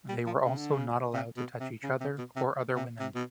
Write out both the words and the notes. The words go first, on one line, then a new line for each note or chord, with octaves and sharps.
They were also not allowed to touch each other or other women.
G3
F3
C#3
D3
C#3
C3
B2
C3
C#3
C3
B2
C3
C3
C3
B2